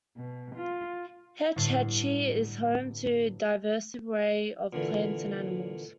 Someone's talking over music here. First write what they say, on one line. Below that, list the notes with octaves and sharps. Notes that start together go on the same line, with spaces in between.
Hetch Hetchy is home to a diverse array of plants and animals.
B2
F4
G1 A2 D5 C7
A#2 D3 E3